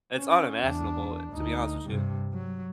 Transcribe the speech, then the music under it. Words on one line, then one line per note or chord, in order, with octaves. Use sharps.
it's unimaginable, to be honest with you.
C#4
E2 D4
D2 D#4
G2 C3
F#3